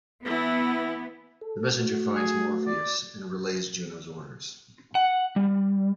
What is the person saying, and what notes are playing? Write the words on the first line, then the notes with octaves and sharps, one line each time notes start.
The messenger finds Morpheus and relays Juno's orders.
E3 B3 E4
A4
A3 F#4
G#4
D5
F#5
G3